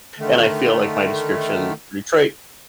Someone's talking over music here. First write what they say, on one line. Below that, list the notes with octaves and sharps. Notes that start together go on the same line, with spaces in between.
and I feel like my description Detroit
D3 D#3 A3